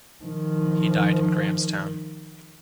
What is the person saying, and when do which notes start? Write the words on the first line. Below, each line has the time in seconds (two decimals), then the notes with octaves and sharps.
He died in Grahamstown.
0.24 D#3 F3